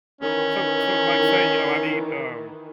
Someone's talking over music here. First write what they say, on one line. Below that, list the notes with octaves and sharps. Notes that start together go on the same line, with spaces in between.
so so, like, say, you know, I need, um,
D#3 E3 C#4